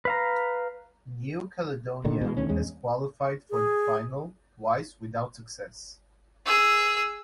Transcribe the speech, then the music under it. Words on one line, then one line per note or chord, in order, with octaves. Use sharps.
New Caledonia has qualified for the final twice without success.
B4 F5 A#5
A#2 D3 D#3
B2 E3 G#3
D2 D#3 C#4
E2 G#3 C#4
G#4
G#4 E6